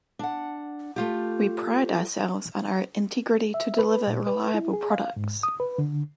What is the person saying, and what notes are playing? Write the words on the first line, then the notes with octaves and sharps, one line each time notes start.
We pride ourselves on our integrity to deliver reliable products.
D4 F#5
A3 F4 G4
E5
B4
A#2
B4
E4
G#4
F5
G#2
D#6
B4
D3